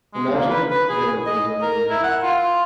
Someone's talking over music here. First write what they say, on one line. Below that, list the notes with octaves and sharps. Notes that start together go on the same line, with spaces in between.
imagine you have a balloon in your hand,
G#3
A#3
B4
B4
G#4
D#5
A#4
E4
F#5
F4